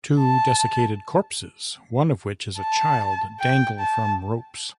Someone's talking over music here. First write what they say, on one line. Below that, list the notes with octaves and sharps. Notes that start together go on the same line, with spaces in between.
Two desiccated corpses, one of which is a child, dangle from ropes.
A5
A5
G5
A5